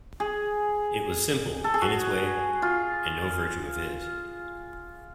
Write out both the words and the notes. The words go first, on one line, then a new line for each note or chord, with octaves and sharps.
It was simple, in its way, and no virtue of his.
G#4
A4
G#4
F#4
F4